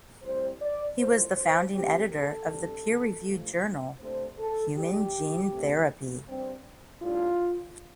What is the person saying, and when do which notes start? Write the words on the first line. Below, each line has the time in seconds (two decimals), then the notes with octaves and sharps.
He was the founding editor of the peer-reviewed journal "Human Gene Therapy".
0.23 A2 G3 C4 C5
0.62 D5
0.98 A2 F3 A3 C5
1.37 C5
1.74 C3 A3 C4 G4
2.12 A4
2.50 C3 G3 D4
3.26 G2 F3 A3
4.00 C3 A3 D4 C5
4.39 A4
4.76 G2 G3 D4 G4
5.51 C3 A3 D4
6.26 G2 G3 C4
7.02 A2 G3 D4 F4